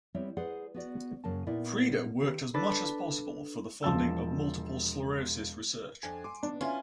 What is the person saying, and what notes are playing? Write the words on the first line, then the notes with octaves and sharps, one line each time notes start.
Frieda worked as much as possible for the funding of multiple sclerosis research.
G3 B3 C4 E4 C#5 E5
G#4 B4 C5 D5 F#5
B3 F#4 D5
F#2 C#3 A#3 A5
A#2 B3 D#4 E4 D5 E5
D#3 G4 B4
D4 A4 B4 A6
E1 F3 A5 E6
F2 D4 G#5
G#5 C6 D6
B3 D4
C#4 E4 F4 E5 F5 G#5 C6